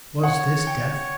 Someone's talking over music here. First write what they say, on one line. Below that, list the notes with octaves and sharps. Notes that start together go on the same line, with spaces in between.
Was this death?
C#5 F#5
G5